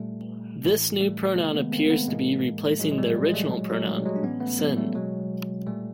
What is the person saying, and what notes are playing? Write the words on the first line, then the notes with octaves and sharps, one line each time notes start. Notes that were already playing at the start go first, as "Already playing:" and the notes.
This new pronoun appears to be replacing the original pronoun "sinn".
Already playing: A#2 G3 A3
A2 E3
G3 A3
C3 D#3 G#3 A#3
A3 B3
A#3 C4
A3 B3
A2 E3 G#3 A#3
A2 E3 F#3 G#3
G#3
G3
G3
G#3
G3 A3
A#2 F#3 G#3
F#3 G#3
G3 A3
G3
F#3 G#3
D4
A2 E3 B3 C#4
A3 B3
F#3 G#3
G3 A3
B2 F#3 G#3
A#2 G3 A3